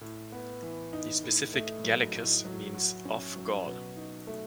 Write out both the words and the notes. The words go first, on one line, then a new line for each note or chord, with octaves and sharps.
The specific "gallicus" means "of Gaul".
A2
B3
E3
D#4
A2
A3
F#3
A2
F#3
F#4
C#4
F#3
B2
D#4
A3